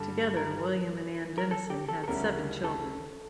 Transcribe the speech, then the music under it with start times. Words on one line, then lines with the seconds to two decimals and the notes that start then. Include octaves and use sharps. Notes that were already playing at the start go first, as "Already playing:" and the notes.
Together, William and Anne Dennison had seven children.
Already playing: G2 D3 G3 A4
0.37 A#4
1.38 A#4
1.51 A4
1.70 G4
1.89 A4
2.04 A4
2.07 D2 C#3 G3 C#4 E4 A#4
2.64 A4